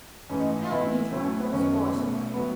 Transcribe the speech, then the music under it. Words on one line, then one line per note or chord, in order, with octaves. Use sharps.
"Help me drive those boys away."
G#2 E3 A3 C#4
D#4
D#4
D#4
A2 E3 B3 E4
A2 F#3 A3
F#2 D#3 F#3 B3 C#4
B2 A3
A2 F#3 B3